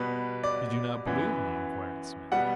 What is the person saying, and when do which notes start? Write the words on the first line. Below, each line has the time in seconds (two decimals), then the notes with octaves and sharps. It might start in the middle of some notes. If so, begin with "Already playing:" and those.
"You do not believe me?" inquired Smith.
Already playing: B2 G3 B3 B4
0.44 D5
1.06 F#2 E3 B3
2.32 B2 G3 B3 F#5